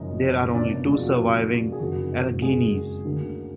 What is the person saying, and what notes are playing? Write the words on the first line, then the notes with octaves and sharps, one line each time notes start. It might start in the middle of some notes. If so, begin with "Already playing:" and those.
There are only two surviving Alleghenies.
Already playing: F#1 F#2 F3 G#3 D#4
F1 F2 F3 B3 D4 D5
A#3 A#4
G#3 G#4
F4
F#4
G#4
F#1 F2 D#3 A#3 F#4
G#3 G#4
D2 D3 F#3 A#3